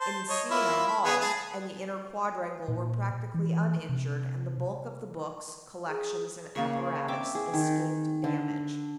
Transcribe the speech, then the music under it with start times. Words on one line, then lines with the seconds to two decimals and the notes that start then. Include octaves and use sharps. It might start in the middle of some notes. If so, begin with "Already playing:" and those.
Encina Hall and the inner quadrangle were practically uninjured, and the bulk of the books, collections and apparatus escaped damage.
0.01 C5 A5
0.29 C#5 D#5
0.50 A#3 E4 F4
0.88 B5
1.05 B3 G#4
1.21 G#4 A5 B5
2.68 A#2
3.34 E3
3.89 C3
5.88 G#4
6.56 C#3 A#3 C#6
7.08 C4 E5 D6
7.35 G#4
7.54 D#3
8.24 D3